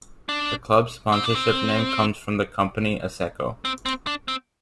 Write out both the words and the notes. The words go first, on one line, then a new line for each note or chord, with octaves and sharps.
The club's sponsorship name comes from the company Asseco.
D4
C4
D4
C4
C4
C4
D4
C4